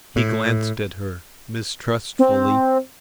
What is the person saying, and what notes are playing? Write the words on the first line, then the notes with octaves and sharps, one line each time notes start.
He glanced at her mistrustfully.
A2
C4